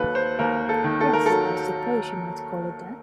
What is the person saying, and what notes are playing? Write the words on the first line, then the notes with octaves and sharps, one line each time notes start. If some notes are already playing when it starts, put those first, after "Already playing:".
Yes, I suppose you might call it that.
Already playing: D#2 F#3 A4 B4
C5
D#2 A#4
A4
D#3
A4
A#4
F#3 A4